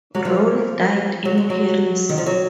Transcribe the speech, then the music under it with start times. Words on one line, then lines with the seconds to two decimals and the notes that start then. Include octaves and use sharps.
Rolle died in Paris.
0.15 F#3
0.25 F3
1.25 F#3
1.38 G#3
1.50 F#3
2.09 D#3
2.18 F3
2.26 F#3